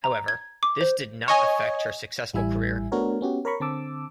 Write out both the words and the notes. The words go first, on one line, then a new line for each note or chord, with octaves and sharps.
However, this did not affect her successful career.
A#5
G#6
D6
C5
C#5 D#5 G#5
A1 G3 E4 E5 G#5
A3 B3 D4 F#4 A#4 C#5
B3 C#4 F#4 G4
A#4 C#5 A#5 B5 C#6
D3 C4 A5 D6 E6